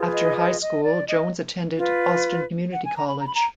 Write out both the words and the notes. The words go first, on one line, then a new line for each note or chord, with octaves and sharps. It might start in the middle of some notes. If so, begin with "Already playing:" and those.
After high school, Jones attended Austin Community College.
Already playing: F4 G#4 B4
D#5
D#5
D#5
D5
D#5
F4 B4
F#5
G#5
A#5
B5
A#5
B5
A#5